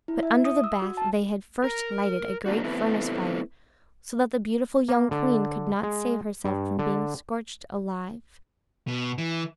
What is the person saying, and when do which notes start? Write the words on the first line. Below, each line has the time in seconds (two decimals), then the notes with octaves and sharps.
But under the bath they had first lighted a great furnace-fire, so that the beautiful young queen could not save herself from being scorched alive.
0.08 E4
0.23 E5
0.45 D#6
0.64 E6
0.82 F#4
0.97 A5
1.64 A#4
2.46 A#3 D4 F#4
2.64 A3 B3 C4 E4 A4 B4
4.89 A#3
5.11 D3
5.83 G#3
6.45 G2
6.79 D3
8.87 B2
9.18 E3